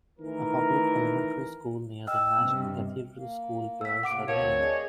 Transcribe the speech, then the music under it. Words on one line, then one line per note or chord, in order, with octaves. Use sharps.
A public elementary school near the National Cathedral School bears her name.
D#3 E3 A3 A#4
D#5 G5 E6 F6
G2 C3
A#3
E6 B6
A2 C3 A#3 F#5 D6 D7
D2 C4 A#4 C#5 F5 A5
G#4 D5 D#5